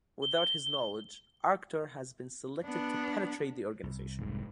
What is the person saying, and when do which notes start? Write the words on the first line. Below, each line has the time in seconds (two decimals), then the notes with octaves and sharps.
Without his knowledge, Arctor has been selected to penetrate the organization.
0.22 G7
2.65 B3 D4
3.83 C2
4.21 F1 G#2